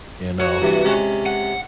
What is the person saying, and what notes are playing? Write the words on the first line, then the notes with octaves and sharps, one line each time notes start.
you know
F#4 C#5 C#6
G2 C3 E3
C3 G#3 C#4
F#5